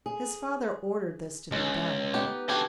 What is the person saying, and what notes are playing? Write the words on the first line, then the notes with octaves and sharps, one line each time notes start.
His father ordered this to be done.
G#4
C#2 G#3
B3 D#4 G4
D3 F#4 G4 A4 G#5